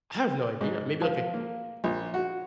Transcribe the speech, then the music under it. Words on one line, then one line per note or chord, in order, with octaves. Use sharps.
I have no idea. Maybe, like, a
G#2
F3
A#3
A#1
F#4